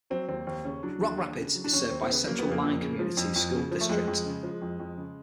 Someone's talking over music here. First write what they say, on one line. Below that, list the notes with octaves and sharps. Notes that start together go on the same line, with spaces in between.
Rock Rapids is served by the Central Lyon Community School District.
F#3 C4
D#2 C4
D#2 C4
C#3 C#4
F#3 D4
D#2 D4
D#2
C#3
F#3
D4
D#2 C#4
D#2 C4
C4
C#3 B3
F#3 A#3
B3
F2
A#3
F2
C#3
F3
F2
F2
C#3
F3
A3
F2 G#3
F2
C#3
F3
F2
F2
C#3